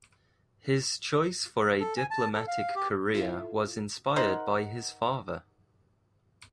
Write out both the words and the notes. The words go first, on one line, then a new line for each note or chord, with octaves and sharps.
His choice for a diplomatic career was inspired by his father.
A4
G#5
A5
A4
F5
G4
E4 F4 A4 E5 F5
D#4 A#4 C5 F#5